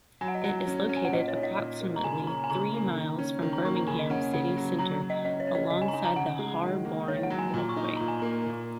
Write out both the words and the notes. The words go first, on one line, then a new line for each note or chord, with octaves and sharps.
It is located approximately three miles from Birmingham city centre, alongside the Harborne Walkway.
F#3 G#5
F#5
D#5
F#3 F#5
C#4
C#4
G#5
F#5
A#2 D#5
C#5
D#4
D#5
A#2
A#3
A#5
C#3 G#5
C#4 A#5
G#5
C#3 A#5
A#3
D#3
C#4
D#3
A#5
A#3 C#6
A#5
C#3 G#5
D#5
C#4 F#5
C#3 F#5
F#3
F#3 A#5
F#3
D#5
C#4 D#5
C#5
C#4
D#5
C#3 D#5
G#5
A#5
D#4 G#5
A#5
C#3 F#5
G#3
D#3
A#3
D#3 C#5
F#5
F#3
G#5
A#2 A#5
C#6
D#4
C#6
A#2 A#5
G#5
A#3 A#5
A#2